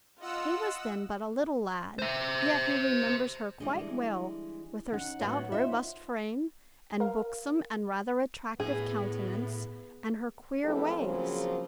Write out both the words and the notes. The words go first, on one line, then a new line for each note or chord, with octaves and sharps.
He was then but a little lad, yet he remembers her quite well, with her stout, robust frame, and buxom and rather attractive countenance, and her queer ways.
F4 D#5 F#5 E6
C5 E5
E3 G3 G#3 D4
C#4 D#4 F#5
A2 F#3 B3 C#5 F#5
D#4 F4 C5 E5
A#4 F5
A2 B3 G#4
F2 A2 E3 G#3 G4 A4
C#3 F3 F#3 A#3 C4 G#4